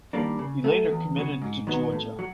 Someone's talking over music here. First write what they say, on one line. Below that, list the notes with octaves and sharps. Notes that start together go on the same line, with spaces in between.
He later committed to Georgia.
D#3 G3 A#3 D4
C#3
F#3 A3
E2
C#3 F#3
G#2
D#3 F#3 B3
A2
F#3